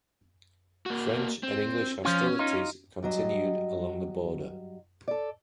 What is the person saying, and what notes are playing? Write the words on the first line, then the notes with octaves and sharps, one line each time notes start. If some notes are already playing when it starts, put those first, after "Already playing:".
French and English hostilities continued along the border.
A#3 F#4
C4
F3 C#4 F4
D#4 F4
G2 F#3 D#5
A4 D5